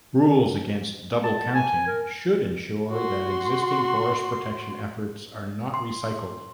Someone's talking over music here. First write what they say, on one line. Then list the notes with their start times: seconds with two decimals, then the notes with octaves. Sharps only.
Rules against 'double counting' should ensure that existing forest protection efforts are not recycled.
1.23 A5
1.54 G#5
1.87 A#4
2.90 F#4 C6
5.74 C6